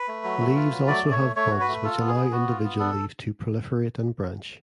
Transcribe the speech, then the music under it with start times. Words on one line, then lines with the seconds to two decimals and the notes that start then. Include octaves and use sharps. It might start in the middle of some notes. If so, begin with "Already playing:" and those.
Leaves also have buds which allow individual leaves to proliferate and branch.
Already playing: B4
0.08 A3
0.24 F#3
0.40 A3
0.56 F4
0.72 F#3
0.87 A3 D5
1.03 A3
1.12 C#5
1.19 A3
1.36 A3 C#5
1.51 F#4
1.60 B4
1.68 A3
1.84 F4 A4
1.99 B3
2.07 G#4
2.16 B3
2.31 B3 F#4
2.47 F4
2.64 B3
2.79 D4 A4